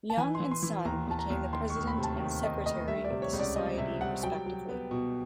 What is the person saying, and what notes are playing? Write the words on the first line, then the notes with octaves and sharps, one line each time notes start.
Yeung and Sun became the President and Secretary of the Society respectively.
A5
E3 G#5
C6
E3
C6
E3
D#2 A#5
D#2 A5
A#5
D#2
D#3 C6
C#6
D2
B5
C3
A5
D#3
D#3 D#5
D2 D#5
G3 E5
D5
C3
C#5
C#2
D5
G3 D#5
C3 E5
G3 F#5
F#3 G5
F#3
B3
B2